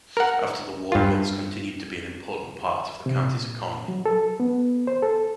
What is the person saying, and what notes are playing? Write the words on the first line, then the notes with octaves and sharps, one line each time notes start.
After the war mills continued to be an important part of the county's economy.
A#4 F#5
G2 F4
C3
A#2
F#3
A4
B3
C5
A4